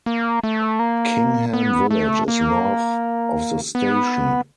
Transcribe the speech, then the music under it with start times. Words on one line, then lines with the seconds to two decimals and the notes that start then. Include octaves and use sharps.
Kingham village is north of the station.
0.06 A#3
0.43 A3
0.79 A#3
1.54 B3
1.91 A3
2.28 A#3
3.75 B3